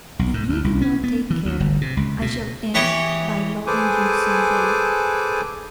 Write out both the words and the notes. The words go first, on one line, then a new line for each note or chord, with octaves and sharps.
"If you do not take care, I shall end by loving you some day."
B1
G#2
D2
C2
C#4
B3
E3
D2
G1
C3
C#2
B2
E3 G4 C#5 D#6
G#4 A4 B4 C5 G#5 D6